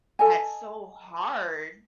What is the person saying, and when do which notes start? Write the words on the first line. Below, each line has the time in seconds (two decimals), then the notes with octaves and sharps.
That's so hard.
0.19 A4 D#5 G#5